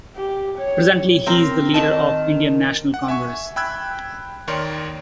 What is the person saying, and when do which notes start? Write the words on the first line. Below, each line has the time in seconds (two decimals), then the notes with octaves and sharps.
Presently he is the leader of Indian National Congress.
0.16 G4
0.58 C#5
1.26 C4 A#4
1.74 D#3 A5
2.94 F#5
3.08 E5 G#5 C#6
3.56 G5 B5 E6 F#6 G#6
4.47 D#2 D#3 A#4 C#5 D5 C6